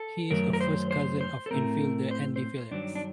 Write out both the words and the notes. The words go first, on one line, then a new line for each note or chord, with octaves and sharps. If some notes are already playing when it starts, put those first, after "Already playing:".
He is a first cousin of infielder Andy Phillips.
Already playing: A4
F#2 D#3 F#3 A3 A#4
A#4
C5
C5
C5
A4
A2 A3 C4 A#4
C5
C5
G2 D#3 F#3 D4
D4